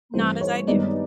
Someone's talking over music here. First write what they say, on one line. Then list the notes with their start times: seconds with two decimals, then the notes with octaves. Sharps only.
Not as I do.
0.14 G2 E3 A3 C4 C5
0.41 C#5
0.68 G2 D#3 G#3 B3 D#4 D5